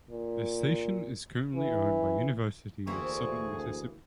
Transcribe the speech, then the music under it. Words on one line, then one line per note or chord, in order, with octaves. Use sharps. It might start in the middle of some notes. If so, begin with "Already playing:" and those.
The station is currently owned by University of Southern Mississippi.
A#2
E3
D2 E3 A#3 C4 G#4 C#6